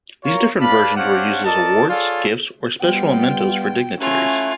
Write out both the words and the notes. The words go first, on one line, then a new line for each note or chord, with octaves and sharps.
These different versions were used as awards, gifts, or special mementos for dignitaries.
F4 A#4 C#5
B4 D5 F5 A5 B5
C4 D4 G4 C#5 F5 F#5
A4 A#4 D5 D#5 A5
F4 G#4 A4 C#5 D5 F5
G3 B3 F4 G5
A3 C#4 E4 F4 F#5 G#5